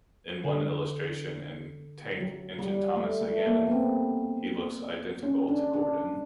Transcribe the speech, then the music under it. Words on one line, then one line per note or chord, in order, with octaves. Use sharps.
In one illustration in "Tank Engine Thomas Again", he looks identical to Gordon.
D3
F#3
G3
A3
A3
A#3
B3
C4
C#4
D4
D4